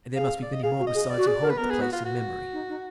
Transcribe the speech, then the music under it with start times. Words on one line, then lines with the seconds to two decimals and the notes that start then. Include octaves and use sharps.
And there must be many more besides who hold the place in memory.
0.16 G#4 F5
0.43 D5
0.53 D#5
0.63 G#4 F5
0.79 F#4
0.87 D#5
0.94 G#4
1.10 D5
1.17 F#4
1.27 G#4
1.42 A#4
1.50 B4
1.58 B3 A#4
1.70 G#4
1.81 F#4
1.93 F4
2.05 F#4
2.53 D#4
2.69 D#4